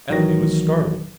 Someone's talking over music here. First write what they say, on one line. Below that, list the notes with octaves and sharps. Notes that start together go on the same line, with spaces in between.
Ethne was startled.
A1 D#3 E3 F#3 F#4 A#6